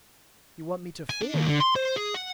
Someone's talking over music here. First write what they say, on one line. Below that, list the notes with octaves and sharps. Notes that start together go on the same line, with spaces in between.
"You want me to fear you?"
G#5
D4
D#2
D3
C6
C5
G#4
F#5